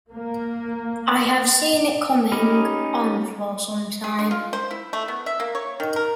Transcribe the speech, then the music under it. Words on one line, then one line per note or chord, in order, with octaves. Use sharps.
I have seen it coming on for some time.
A#3
C#4 D#4 G4 B5 F6
G#4
D3
F4
C5
E4
A3
B3
E5
A#3
C#5
D#3
A#4